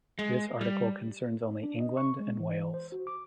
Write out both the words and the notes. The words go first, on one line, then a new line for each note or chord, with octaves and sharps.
This article concerns only England and Wales.
G#3
G3
D4
D#5
C#6
G#3
E3
C5
F#4
D6